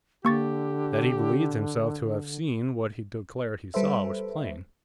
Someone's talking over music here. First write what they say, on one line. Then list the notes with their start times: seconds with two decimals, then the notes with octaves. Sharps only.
That he believed himself to have seen what he declared he saw was plain.
0.25 D3 A#3 G4 C#6 A6
3.74 G3 A4 B4 C5 E5